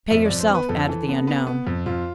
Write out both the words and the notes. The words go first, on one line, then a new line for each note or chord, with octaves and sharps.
"Pay yourself," added the unknown.
F2 E5
F2 D5
C5
B3 B4
F2 A4
E3
B3
B3
B3
F2
F2 F4